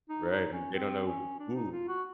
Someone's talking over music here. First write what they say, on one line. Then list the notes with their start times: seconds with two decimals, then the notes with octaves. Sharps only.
Right. And they don't know who
0.09 D#4
0.30 D#4
0.52 C#4
0.74 C4
1.06 C#4
1.39 D4
1.54 D#4
1.71 F4
1.87 F#4